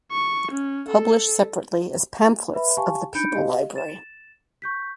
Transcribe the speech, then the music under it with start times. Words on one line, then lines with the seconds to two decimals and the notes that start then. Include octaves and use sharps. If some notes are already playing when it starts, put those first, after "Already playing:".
Published separately as pamphlets of the "People library".
0.12 C#6
0.52 C#4
0.89 A4
2.54 B4 E5 B5
2.77 G4 F5 G#5 A5 C#6
3.15 D4 D#4 B5 G6 C#7 D7
3.35 G4 D#5 F5
3.76 A6 E7
4.62 C#6 G6 B6